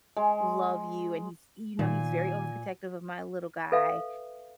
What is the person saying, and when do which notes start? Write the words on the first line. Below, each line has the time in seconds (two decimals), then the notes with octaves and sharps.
love you, and he's you know, he's very overprotective of my little guy,
0.17 G#3
1.79 A#2 D#3 G#5
3.72 A4 B4 E5 F5